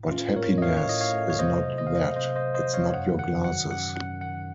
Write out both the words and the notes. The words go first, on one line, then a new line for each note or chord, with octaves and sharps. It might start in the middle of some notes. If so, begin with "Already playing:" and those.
But happiness is not that, it's not your glasses.
Already playing: A2
A3 C#4 F4
A2 A#4 C#5
D#5
A3 C#5 F5
C#5
A2 D#5
C#5 F5
A3
C#5
C3 C5 D#5
F#3
D#5
F5
A#3 C5 D#5
C3 C5 D#5
C5 D#5
C3
C5 D#5
F#3
C#5 F5
F#2 F#5
D#3 F#5
F#3 F#5
F#2 F#5
F#2 F#5
D#3 F#5